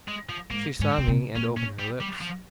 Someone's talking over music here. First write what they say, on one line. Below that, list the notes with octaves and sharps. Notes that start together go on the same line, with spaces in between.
She saw me and opened her lips.
G#3
F3
G#2 A#3
G#2 C#4
C#3 C4
C3
A#2 C#4
C#4
G3
G3
F3